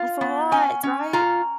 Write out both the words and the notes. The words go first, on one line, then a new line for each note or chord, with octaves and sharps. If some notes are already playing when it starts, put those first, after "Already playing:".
That's a lot, right?
Already playing: F4 F5
B3
C#4 G#5
C#4
F4 A#5